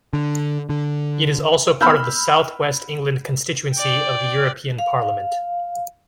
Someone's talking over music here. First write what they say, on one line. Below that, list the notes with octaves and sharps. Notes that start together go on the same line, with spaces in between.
It is also part of the South West England constituency of the European Parliament.
D3
D3
B5 E6 F6 G6
D5 G5
F5